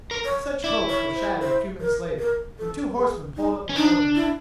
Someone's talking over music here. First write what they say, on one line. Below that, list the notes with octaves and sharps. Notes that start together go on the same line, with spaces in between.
But such hopes were shattered a few minutes later when two horsemen pulled up before them.
A#4
C#5
E4 D5
C#5
C5
C5
A#4
A#4
A4
G#4
D#4
C#4
D4 D#4
E4